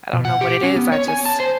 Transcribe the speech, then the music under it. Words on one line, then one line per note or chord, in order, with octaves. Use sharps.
I don't know what it is. I just
B2
F#5
G4
C#4
B3
C#5
G#5
A5
C5